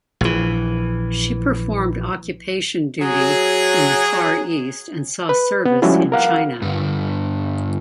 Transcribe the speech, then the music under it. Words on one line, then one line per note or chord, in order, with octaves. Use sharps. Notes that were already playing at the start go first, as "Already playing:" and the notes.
She performed occupation duty in the Far East and saw service in China.
A#1 E3
F#3 G#4
B4
B3
F3 G3 G#3 C#4 E4 F#4
A#4 F5 F#5
G2 D3